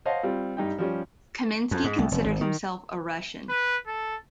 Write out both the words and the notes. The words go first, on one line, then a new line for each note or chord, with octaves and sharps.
Kaminski considered himself a Russian.
C5 C#5 D#5 F5 F#5 A5
G3 C4 F4
G2 D#4 G5
F3 G3 C#4
F2
G#2
C2
F1
G#1
D#3
B4
A4